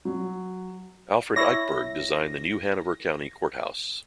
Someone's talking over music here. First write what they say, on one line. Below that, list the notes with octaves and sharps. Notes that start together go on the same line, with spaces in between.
Alfred Eichberg designed the New Hanover County Courthouse.
F#3
E4 C#5 A#6